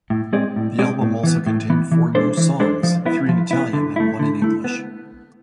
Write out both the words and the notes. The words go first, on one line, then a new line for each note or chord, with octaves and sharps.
The album also contained four new songs; three in Italian and one in English.
A2
G#3 C4 G#4 D5
A2
G#3 C4 G#4 D5
A2
E3 B3
A2
E3 B3
E3
G#3 D4 A4 C5
E3
G#3 D4 A4 C5
F3
B3 E4
F3
B3 E4
D3
A3 E4
D3
A3 E4
B3